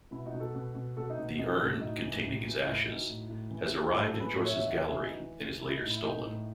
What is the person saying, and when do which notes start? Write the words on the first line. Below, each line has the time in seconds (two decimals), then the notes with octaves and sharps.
The urn, containing his ashes, has arrived in Joyce's gallery, and is later stolen.
0.11 B2 E4
0.26 D#4 F#4
0.33 B2
0.40 F#4 A4
0.55 B2
0.75 B2
0.97 B2 F#4 A4
1.10 D#4
1.18 B2
1.38 E3 D#4 F#4
1.60 A2 F#4 A4
1.81 A2 D#4 F#4
2.02 E3
2.23 A2
2.45 E3
2.65 A2 E4
2.86 E3 D#4 F#4
3.08 A2
3.29 A2
3.51 E3
3.71 E3
3.92 A2 E4 G#4
4.07 F#4 A4
4.14 E3
4.20 G#4 B4
4.35 A2 F#4 A4
4.46 C#5 E5
4.56 E3 C#5 E5
4.67 D#5 F#5
4.77 E3 C#5 E5
4.91 E4 G#4
4.99 E3
5.05 D#4 F#4
5.20 E3
5.41 E3
5.61 E3 E4
5.77 D#4
5.83 A2
5.90 E4
6.04 E3 D#4
6.25 A2